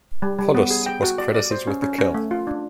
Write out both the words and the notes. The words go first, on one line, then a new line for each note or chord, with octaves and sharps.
"Polluce" was credited with the kill.
G3
G3
B3
G#4
G5
F#4
D5
D5
C5
C#4
C#4
C#4
A3
F4
D4